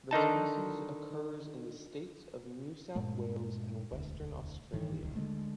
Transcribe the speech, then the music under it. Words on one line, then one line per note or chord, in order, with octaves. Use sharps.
The species occurs in the states of New South Wales and Western Australia.
D3 D#3 D#4 A5
G2 A#2 G#3 A3
E1 D2
A1 G2 D#3 E3
D#1 C#2 D#3
D3 F3 G#3 A3